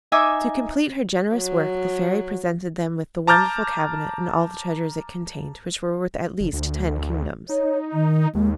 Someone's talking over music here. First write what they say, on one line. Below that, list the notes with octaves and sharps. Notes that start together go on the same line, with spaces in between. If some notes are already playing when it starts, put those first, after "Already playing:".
To complete her generous work the Fairy presented them with the wonderful cabinet and all the treasures it contained, which were worth at least ten kingdoms.
D#4 E5 G#5 D6
F#3
A5 A#5 D6 F6 G6 A6
F#1
D2
D#4 C#5
D#3
D#2 G#3